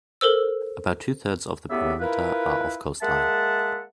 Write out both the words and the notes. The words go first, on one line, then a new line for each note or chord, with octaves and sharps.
About two thirds of the perimeter are of coastline.
A4 A#4 C5 E6
A2 C#3 B3 G4 D5 E5
E4 F4 A#4 B4
G#3 A#3 E5 F#5 A5